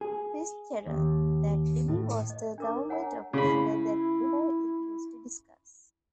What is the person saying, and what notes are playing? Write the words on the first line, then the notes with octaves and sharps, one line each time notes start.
Fitzgerald knew that Libby was the government official that Miller refused to discuss.
G#4
D#2
A2
D#5
D4 A#4 D6
C#5 F#5 G#5 A#5
C#3 E4 B5